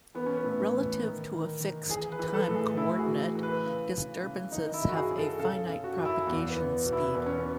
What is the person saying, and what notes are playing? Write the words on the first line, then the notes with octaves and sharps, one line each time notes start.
Relative to a fixed time coordinate, disturbances have a finite propagation speed.
E3 B3
C#4
B3
A2
E3
D#3
D#3
D#3
E3 G#4
B4
E3
B4
A4
A2
G#4
A2 E4
F#4
G#4
E3
E3
B4
C#3
C#3
C#3
D#3 D#4
E4
F#2
F#4
G#4
F#2
A4
C#3 A4
C#3
F#4
F#2
E4
E2
B3
E2
B2
E4
E2 B3
C#4
B3